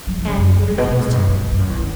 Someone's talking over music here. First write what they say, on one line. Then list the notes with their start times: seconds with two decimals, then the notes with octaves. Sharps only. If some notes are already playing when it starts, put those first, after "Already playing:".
'And you refused him?'
0.07 F#3
0.18 F#3
0.27 C#3
0.38 F#2
0.67 G2
0.78 B2
0.89 B2
0.99 A2
1.13 G2
1.28 G2
1.52 G2
1.59 F#2
1.70 E2
1.79 D3